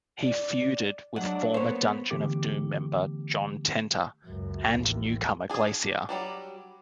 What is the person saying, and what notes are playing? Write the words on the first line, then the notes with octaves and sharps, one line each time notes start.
He feuded with former Dungeon of Doom member John Tenta, and newcomer Glacier.
D5
F#3 G#3 D4 F#5
A#3 B3 C5 C#5
D3 E3 A3 B3 G4 D6
C#2 F#2
A1 D#2
D4 G#4
F#3 G3 D4